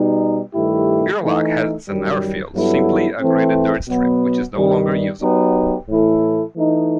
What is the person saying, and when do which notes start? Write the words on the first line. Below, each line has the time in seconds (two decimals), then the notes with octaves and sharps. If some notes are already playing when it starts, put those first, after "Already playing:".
Gerlach has an airfield, simply a graded dirt strip, which is no longer usable.
Already playing: B2 G3 D#4
0.54 G2 D#3 A3 E4 G4
1.20 E3 A3 D#4
1.87 F#2 D#3 G3
2.54 G2 F#3 B3 E4 A4
3.21 E3 A3 C4
3.88 B2 F#3 B3
4.56 G2 D#3 G3
5.22 F#3 B3 D#4 G4 B4
5.89 A2 E3 A3 E4 A4
6.56 E3 A3 D#4